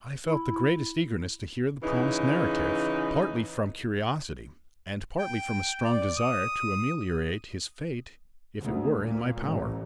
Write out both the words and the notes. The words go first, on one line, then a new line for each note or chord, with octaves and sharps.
I felt the greatest eagerness to hear the promised narrative, partly from curiosity and partly from a strong desire to ameliorate his fate if it were in my power.
E4 B5
C#3 E3 D#4
G5
D5
D#6
D2
A#2
A1